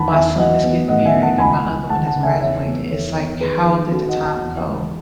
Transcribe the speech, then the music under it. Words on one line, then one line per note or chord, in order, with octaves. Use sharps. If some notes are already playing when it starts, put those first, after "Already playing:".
my son is getting married and my other one has graduated, it's like, "How did the time go?"
Already playing: E2 D#3 F#5 A5 B5
E2 E5 G#5
F#3 D#5 F#5
B3
A2 D#5 F#5
E5 G#5
B3
F#5 A5
C#2 G#5 B5
C#2
G#3 F#5 A5
F#5 A5
C#3
E5 G#5
E2 C#5 E5
B3
E2 A4 C#5
B3
D#3 G#4 B4
D#3
C#4 F#4 A4
D#5 F#5
C#4
F#5 A5
E2
G#3